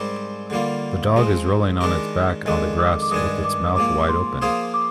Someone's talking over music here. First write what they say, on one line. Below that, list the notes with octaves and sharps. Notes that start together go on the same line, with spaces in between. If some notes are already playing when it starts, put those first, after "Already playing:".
The dog is rolling on its back on the grass with its mouth wide open.
Already playing: G#2 G3 C4 G4 A#4 C5
D3 G3 A#3 F4
F3 G#3 C4
D#3 G#3 D4 G4 A#4
F2 D#3 G#3 D4 D#5
D6
D6
G2 D#3 G#3 D4 G#4 D#6
D6
G#2 F3 A#3 D6
C6
F3 A#3 F4 G#4 C5 D#6
D6